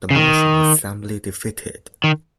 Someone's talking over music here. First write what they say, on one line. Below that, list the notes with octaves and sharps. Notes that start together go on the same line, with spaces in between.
The motion was soundly defeated.
C#3
D#3
D#3